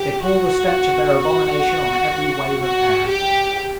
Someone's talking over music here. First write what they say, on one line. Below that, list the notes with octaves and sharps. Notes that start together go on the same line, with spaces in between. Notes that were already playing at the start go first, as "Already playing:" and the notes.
They pour the stench of their abomination on every wave of air.
Already playing: G4
F#4
F#4
F#4
G4